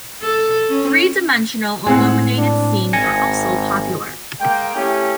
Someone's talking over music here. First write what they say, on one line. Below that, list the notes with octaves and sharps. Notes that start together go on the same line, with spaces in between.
Three-dimensional illuminated scenes are also popular.
A4
C#4
A2 G#3 C4 F#5
D4
G#1 G#5 A#6 C#7
G#3 A#3 G5
A3 C#4 E4 G4